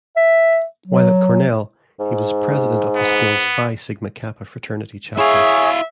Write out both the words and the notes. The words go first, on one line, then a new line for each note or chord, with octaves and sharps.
While at Cornell, he was president of the school's Phi Sigma Kappa fraternity chapter.
E5
F#3
G#2
B3
E4 G#4 C#5 E5 F5